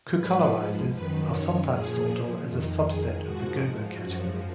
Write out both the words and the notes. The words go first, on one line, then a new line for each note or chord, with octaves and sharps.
Cucolorises are sometimes thought of as a subset of the gobo category.
G#2 F3 B4
F#2 D#3 B4
C#5
A#2 F3 G#4
F2 D#3
G#4
G#2 F3 F#4
F#2 F3 F#4